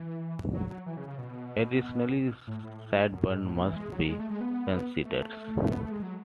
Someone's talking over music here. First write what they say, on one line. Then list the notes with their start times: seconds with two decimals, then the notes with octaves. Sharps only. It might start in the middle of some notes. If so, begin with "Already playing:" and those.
Additionally, sideburns must be considered.
Already playing: E3
0.54 F#3
0.70 F#3
0.86 E3
0.97 C#3
1.07 C#3
1.18 B2
2.47 A2
2.63 A2
3.11 F#2
3.28 G#2
3.44 A2
3.55 B2
3.66 E3
3.76 G#3
3.92 F#3
4.08 G#3
4.19 A3
4.30 G#3
4.41 B3
5.05 A3
5.71 B3
5.81 A3
5.91 G#3
6.02 F#3